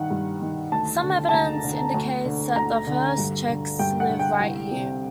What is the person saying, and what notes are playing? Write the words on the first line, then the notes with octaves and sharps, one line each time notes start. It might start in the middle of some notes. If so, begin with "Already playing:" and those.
Some evidence indicates that the first Czechs lived right here.
Already playing: G2 D#3 F#5
G2
D#3
D2 A5
D3
A5
D2 A#5
D3
D2
D3
D2 A#5
D3
G2
D3
G2 G5
F#5
D3
G5
C2
C3